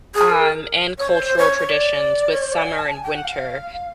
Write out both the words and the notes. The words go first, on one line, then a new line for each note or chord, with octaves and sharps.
um, and cultural traditions with summer and winter.
G#4
A#4
C#5
C5
C#5
C#5
D5
C#5
C5
D5
G#5
A5
G#5
G5
F#5
F5